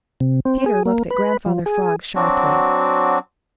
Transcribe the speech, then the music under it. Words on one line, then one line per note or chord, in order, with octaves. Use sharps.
Peter looked at Grandfather Frog sharply.
C3
C4
G#4
A#3
B4
F3
G#4
F#3 C4 D4 F#4